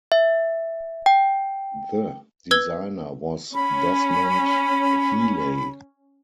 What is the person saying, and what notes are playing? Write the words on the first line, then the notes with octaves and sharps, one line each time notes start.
The designer was Desmond Heeley.
E5
G5
B4 E6 G#6 G7
C#4 B5